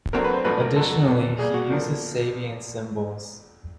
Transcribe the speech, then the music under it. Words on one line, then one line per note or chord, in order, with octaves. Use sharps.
Additionally, he uses Sabian cymbals.
D2 D3 F#3 A3 C4 A#4
B4
C5
G#1 G2 D3 F3 A3 B4
A#4
F2 D3 F#3 A4
E2 C3 E3
A#1 A#2 G3 G#4
F#4
B1 A#2 F3 A#3 D4